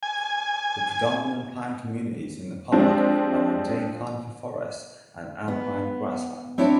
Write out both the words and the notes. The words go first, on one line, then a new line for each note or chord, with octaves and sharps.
The predominant plant communities in the park are montane conifer forests and alpine grasslands.
G#5
F3 G#3 C4 D4 G4
B3
C4 D4 E4 C#5